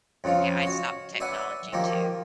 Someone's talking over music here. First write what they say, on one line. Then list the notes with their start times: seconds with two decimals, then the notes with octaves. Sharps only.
Yeah, I stopped technology too,
0.24 F2 C#3 F3 F4
0.62 F#4 C#5
1.20 B4 C#5 D5 E5 F#5 G#5
1.73 D#3 F3 A#3 G4